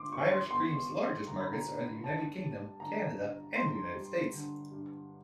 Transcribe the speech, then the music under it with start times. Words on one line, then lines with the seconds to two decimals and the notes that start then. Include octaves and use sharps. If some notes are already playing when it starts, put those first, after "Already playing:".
Irish cream's largest markets are the United Kingdom, Canada, and the United States.
Already playing: D3 C6 D6
0.12 G2 C#6
0.31 C6
0.51 B3 C6
0.89 G3
1.27 D3 A#5
1.40 B5
1.53 A#5
1.65 G2
2.04 G2 A5
2.42 G3
2.80 D3 A#5
3.18 G2
3.56 G2 C6
3.94 G3
4.33 D3
4.71 G2